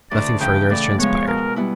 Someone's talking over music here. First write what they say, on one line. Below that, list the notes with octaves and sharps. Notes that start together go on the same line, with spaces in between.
Nothing further has transpired.
D2 D5
C#3 E3 G5
A2 D5
F3 G#3 B3 C#5
B2 A#4
G3 B3 E4